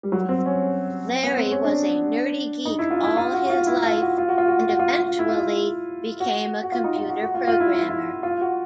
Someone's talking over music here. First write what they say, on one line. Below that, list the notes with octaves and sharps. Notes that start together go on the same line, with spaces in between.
Larry was a nerdy geek all his life and eventually became a computer programmer.
G3
F#3
C4
C#4
B3
C4
C#4
D4
D#4
E4
F4
E4
F4
F#4
F#4
F4
E4
F4
F#4
F4
F#4
F4
F#4
F4
F#4
F4
F#4
F4
E4
F4
E4
F#4
F#4
F4
D#4
F4
F#4
F#4
F4
F4
E4
E4
F4
E4
F4
F#4